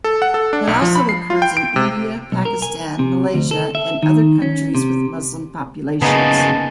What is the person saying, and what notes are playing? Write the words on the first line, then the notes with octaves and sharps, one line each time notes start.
It also occurs in India, Pakistan, Malaysia and other countries with Muslim populations.
A4
F#5
A4
D4
B1
F3
B5
C7
F4
G5
D7
C3
B1
A#4
G#5
C3
D2
A4
E5
D#3
C#4
C3
C#3 A#3 B3 D#4 G#4 A5